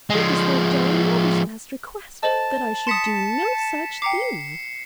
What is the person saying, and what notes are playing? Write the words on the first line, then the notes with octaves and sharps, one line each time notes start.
"It was their dying mother's last request that I should do no such thing."
F3 G#3
A4 C5 D#5 A5
C6 D#6 B6 C#7 E7
G5 A#5 D6 C7 C#7